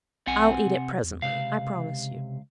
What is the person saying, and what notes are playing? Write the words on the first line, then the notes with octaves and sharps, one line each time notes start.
I'll eat it presently; I promise you.'
B1 C4 F#5 G#5
C3
E2
C#2 C3 F5